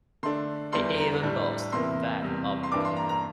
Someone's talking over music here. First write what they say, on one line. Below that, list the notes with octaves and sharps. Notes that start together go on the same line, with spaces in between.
He even bowls a fast off cutter.
D3 A3 D4 C6
E2 E3 G3 D4 C6
A#5
A2 G3 D4
E2 C3 E3 A#3 E4 C6
E2 C3 G3
C6
G2 E3 A#3 D4 D6
C6
A#5
A#5